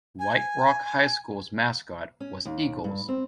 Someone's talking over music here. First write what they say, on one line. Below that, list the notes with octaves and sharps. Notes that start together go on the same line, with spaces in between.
White Rock High School's mascot was Eagles.
G#5
C#4
D#2
G2
C4